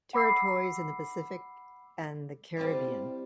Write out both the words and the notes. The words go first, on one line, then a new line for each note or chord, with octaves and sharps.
Territories in the Pacific and the Caribbean.
F#5 B5 D6 E6 C7
G3 C4 E4 D5 F5